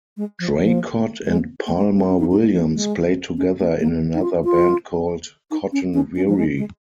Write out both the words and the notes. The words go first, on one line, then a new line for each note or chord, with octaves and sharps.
Draycott and Palmer-Williams played together in another band called Cotton Weary.
G#3
F3
F3
G#3
A#3
G#3
C#4
C#4
D#4
D#4
G#3
F3
G#3
C#4
A#3
A#3
D#4
F4
F4
D#4
C#4
C#4
C#4
F3
G#3
G#3